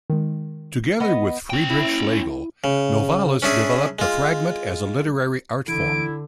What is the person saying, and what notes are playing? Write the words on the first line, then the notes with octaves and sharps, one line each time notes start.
Together with Friedrich Schlegel, Novalis developed the fragment as a literary artform.
D#3 G#3
B3 D#5
C#4 G5
E4
C#3
C#4 D4 E4 G#4
G#3 F4
D3 E3 E4 D7